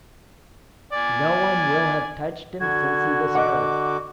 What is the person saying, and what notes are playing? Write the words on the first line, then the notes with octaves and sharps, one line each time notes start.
No one will have touched him since he was hurt.
D5 G#5
D3 F#4 G#6
D#5 F#5 D6